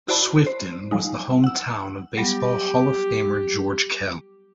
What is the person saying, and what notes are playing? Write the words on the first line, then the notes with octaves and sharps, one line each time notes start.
Swifton was the hometown of Baseball Hall of Famer George Kell.
E4 F#4 C5 D5 A5 B5
C5
F3 G3 G#3 D#4
F#5 E6
F#3 G3 B3 G4